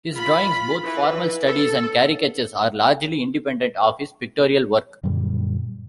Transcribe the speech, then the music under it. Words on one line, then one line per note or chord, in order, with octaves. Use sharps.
His drawings, both formal studies and caricatures, are largely independent of his pictorial work.
F4 B5
E3 B4
A4
F#2 A#2 D3 G3